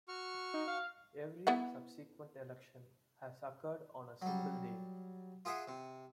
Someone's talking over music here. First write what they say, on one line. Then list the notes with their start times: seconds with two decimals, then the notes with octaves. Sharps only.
Every subsequent election has occurred on a single day.
0.08 F#4 C#6 F6
0.54 D#4
0.68 F5
1.47 B3 E4 F#5
4.22 F#3 G3
5.45 F4 G#4 E5 F#5
5.68 C3